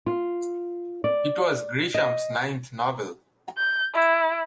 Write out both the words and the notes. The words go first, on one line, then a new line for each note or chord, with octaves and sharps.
It was Grisham's ninth novel.
F4
D5
D#5
G6
E4